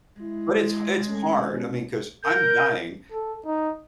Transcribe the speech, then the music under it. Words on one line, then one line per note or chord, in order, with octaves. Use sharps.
But it's it's hard. I mean, 'cause I'm dying,
G#3 E4
A3 C#4
B2 C#4
A#4 G6
A4
D#4